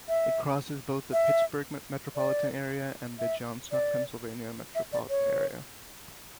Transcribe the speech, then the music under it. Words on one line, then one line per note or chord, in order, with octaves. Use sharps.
It crosses both the Pittsburgh metropolitan area and the Johnstown, Pennsylvania metropolitan area.
E5
E5
D5
E5
D5
E5
D5
C#5